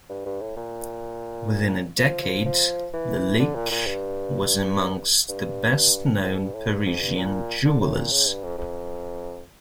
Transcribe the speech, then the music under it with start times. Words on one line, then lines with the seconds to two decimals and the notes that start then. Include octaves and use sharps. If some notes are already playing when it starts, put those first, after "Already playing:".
Within a decade, Lalique was amongst the best-known Parisian jewellers.
0.09 G2
0.26 G2
0.41 A2
0.57 A#2
1.98 F3
2.22 F3
2.45 F3
2.93 E3
3.39 D3
3.55 A#2
3.71 A#2
3.87 G2
5.29 G2
6.23 F2
6.38 G2
6.54 A2
6.70 G2
6.86 F2
7.02 G2
7.17 A#2
7.65 D3
7.81 A2
7.96 A#2
8.11 C#3
8.27 G2
8.43 F2
8.58 F2